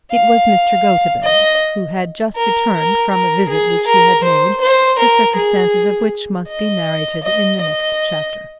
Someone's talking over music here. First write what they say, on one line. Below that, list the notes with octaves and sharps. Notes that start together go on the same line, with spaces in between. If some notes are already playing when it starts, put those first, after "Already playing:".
It was Mr. Gotobed who had just returned from a visit which he had made, the circumstances of which must be narrated in the next chapter.
F5
D#5
A#4
A#4
A#4
G#4
A#4
C5
C5
A#4
G#4
D#5
D#5
D#5